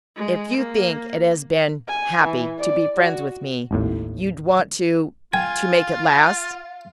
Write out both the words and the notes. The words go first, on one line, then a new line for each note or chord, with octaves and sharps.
"If you think it has been--happy--to be friends with me--you'd want to--to make it last."
G#3
A#3
G#5
E3
D5
F#4
G#1 D#2 A2
F4 F5 G5 G#5